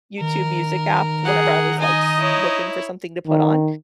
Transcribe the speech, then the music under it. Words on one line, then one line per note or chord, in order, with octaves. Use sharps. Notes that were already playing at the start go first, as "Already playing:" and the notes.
YouTube Music app whenever I was, like, s looking for something to put on,
D#3 A#4
G#4 F#5
D#4 D#5 G#5
E4 C#5
D#3